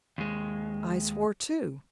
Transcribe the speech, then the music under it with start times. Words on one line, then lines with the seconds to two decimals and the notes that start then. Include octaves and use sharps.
I swore too.
0.18 D#2 G#3